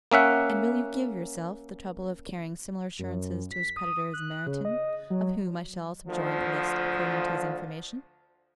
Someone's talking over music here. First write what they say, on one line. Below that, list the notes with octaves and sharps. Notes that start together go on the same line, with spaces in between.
And will you give yourself the trouble of carrying similar assurances to his creditors in Meryton, of whom I shall subjoin a list according to his information?
A#3 C#4 E5 F#5
F#2
B6
D#6
F#6
C#3
D#5
F#3
D2 F3